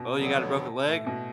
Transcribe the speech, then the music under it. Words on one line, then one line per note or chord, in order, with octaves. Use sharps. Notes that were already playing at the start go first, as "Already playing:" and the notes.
"Oh, you got a broken leg?"
Already playing: B2
F2 D3 F#3 B3
A2
B2